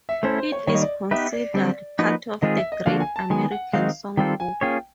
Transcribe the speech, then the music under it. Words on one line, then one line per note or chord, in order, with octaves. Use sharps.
It is considered part of the Great American Songbook.
E5
A3 C#4 E4 A4 C5
C5
C#5
D#3 G3 A#3 C#5
D#5
D5
B3 D#4 G4 B4 E5
D5
D3 G3 C4
F3 A#3 D#4 F#4 B4
D#3 G#3 C4 F4 G#4 D#5
E5
D#5
D3 F3 A#3 D4 F#4 F5
G#5
A5
D#3 G#3 B3 G#5
F#5
D#3 G#3 C4 D#4 F#4 F5
D#3 G3 C4 F4 A4 G5
G#5
A#3 C#4 F4 G#4 C#5 G5